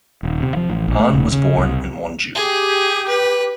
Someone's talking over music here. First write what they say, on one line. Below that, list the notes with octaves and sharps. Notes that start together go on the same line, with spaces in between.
Ahn was born in Wonju.
D#1
C3
F3
A1
A#1
A3
D#1
C#3
C2
G4 G#4
B4